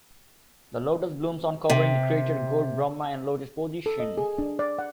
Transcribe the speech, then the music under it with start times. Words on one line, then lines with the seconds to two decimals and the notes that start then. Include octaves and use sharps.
The lotus blooms uncovering the creator god Brahma in lotus position.
1.70 C3
3.86 A4
4.00 D#5
4.17 G#4
4.38 D4
4.59 D5
4.79 F#5